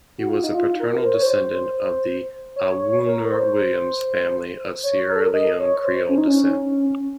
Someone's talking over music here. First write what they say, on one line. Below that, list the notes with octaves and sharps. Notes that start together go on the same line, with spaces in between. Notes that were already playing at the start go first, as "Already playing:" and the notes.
He was a paternal descendant of the Awoonor-Williams family of Sierra Leone Creole descent.
F#4
F4
D#4
F4
A#4
C5
C#5
C5
C#5
C#5
A#4
C#5
C5
C#5
A#4
A4
A#4
D#5
C#5
C5
C#4
D#4
C#4